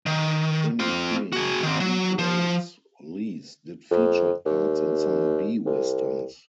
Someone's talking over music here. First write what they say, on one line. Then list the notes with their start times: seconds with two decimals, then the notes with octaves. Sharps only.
In between lead roles, Lease did featured parts in some B westerns.
0.06 D#3
0.80 C4 F4
1.33 F#4 G#4
1.63 D#3 C4
1.80 F#3
2.19 F3
3.90 F2
4.46 D#2
5.66 C2